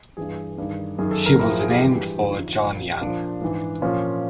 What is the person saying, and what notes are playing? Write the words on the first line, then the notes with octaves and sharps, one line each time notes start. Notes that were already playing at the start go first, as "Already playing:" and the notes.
She was named for John Young.
G2 E3 G#4
G2 D#3
F#2 D#3 G#4
A4
A#4
A2 F3 A#4
G#4
G#4
G4
G2 E3
F2 D3 F3 D#4
A#2 F3
A#2 F3 D4
G#2 E3
A#2 F3 C#4